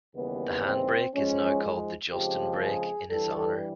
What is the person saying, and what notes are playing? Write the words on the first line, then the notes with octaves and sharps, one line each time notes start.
The hand brake is now called the Justin Brake in his honor.
D#2 C#3 E3 G3 B3
C4
G#2 F3 G#3 C#4
F2 C#3 F3 G#3 G4
G#4
G2 E3 G3 A4